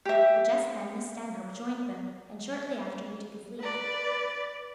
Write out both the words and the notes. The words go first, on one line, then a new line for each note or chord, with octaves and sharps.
But just then Miss Stanhope joined them, and shortly after he took his leave.
G4 E5
B4 D5